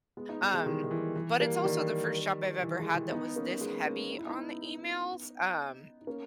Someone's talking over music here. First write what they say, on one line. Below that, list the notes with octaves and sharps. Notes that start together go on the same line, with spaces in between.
um, but it's also the first job I've ever had that was this heavy on the emails, um
G#3 B3
B3 D#4
B3 D#4
E3 G#3
D#3 G3
D#3
E3
E3
G3 A#3
D#3 G3
E3
E3 G#3
E3 G#3
B3 D#4
A#3 C#4
G#3 B3
A#3 C#4
D#4
E4
B3 D#4
D#4
A#3 C#4